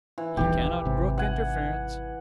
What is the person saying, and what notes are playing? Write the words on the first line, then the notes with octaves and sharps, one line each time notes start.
He cannot brook interference.
E3
D#1 B1 E3 G4
G#1 C3
F#5 G#5